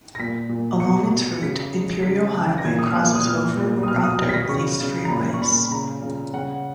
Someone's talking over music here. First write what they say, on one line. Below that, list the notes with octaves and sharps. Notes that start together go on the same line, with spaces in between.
Along its route, Imperial Highway crosses over or under these freeways.
A#6
A#2 B6
A#2
B2 C#7
B2
C#7
C#3 B6
G#3
C#3 B6
C#3
A#6
A#2 G#6
D#6
F6
A#2 F#6
D#6
A#2 F6
A#2
D#6
B2 F6
D#6
B2 F6
B6
A#6
C#3 C#6
C#3
A#5
A#2 B5
C#6
A#2 B5
B5
C#3 A#5
C#3
C#3 F#5